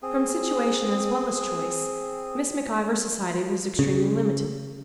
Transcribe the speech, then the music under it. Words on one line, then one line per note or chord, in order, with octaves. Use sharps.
From situation as well as choice, Miss Mac-Ivor's society was extremely limited.
C4 G#4
C#3